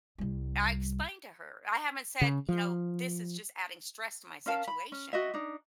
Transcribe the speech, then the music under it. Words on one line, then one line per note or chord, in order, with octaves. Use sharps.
I explained to her I haven't said, you know, "This is just adding stress to my situation,"
C2 G3
C#3
F3
C#4 A#4 F5 A5
B5
C#4
F#4 D#5 E5
D4 D#4